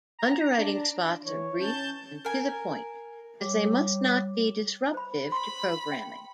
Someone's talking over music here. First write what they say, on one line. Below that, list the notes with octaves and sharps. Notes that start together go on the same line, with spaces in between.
Underwriting spots are brief and to-the-point, as they must not be disruptive to programming.
A#5
D4
E3 C#5
C#4 A5 G6
A#4 G#5
G3 C#5 D6
C5 B5
B5 C6
G5